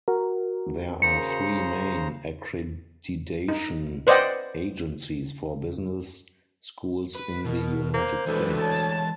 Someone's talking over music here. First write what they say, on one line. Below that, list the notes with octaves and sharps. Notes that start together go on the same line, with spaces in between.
There are three main accreditation agencies for business schools in the United States.
F#4 A#4
C#3 C5 A#5 C#7
D#4
B4 C5 D5 D#5 F#5 G5
B4
B2 A#4
A#3 C5
D2 E3 G#3 A4 B4
C#5 A5